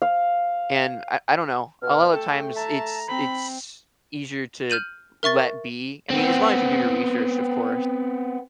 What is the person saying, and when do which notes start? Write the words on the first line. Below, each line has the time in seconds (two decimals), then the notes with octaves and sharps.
And I I don't know, a lot of the times, it's it's easier to let be I mean, as long as you do your research, of course.
0.02 F5
1.82 B2 F6
2.13 A3 A4 G5
2.56 E5 A5 A#5
3.08 C4 B5
4.70 F6 G6 D#7 F#7
5.23 A#4 E5 C#6 A6
6.10 B3 C4